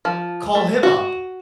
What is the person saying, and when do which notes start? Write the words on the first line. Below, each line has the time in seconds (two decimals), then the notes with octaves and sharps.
Call him up
0.05 F3
0.55 A3
0.83 F#4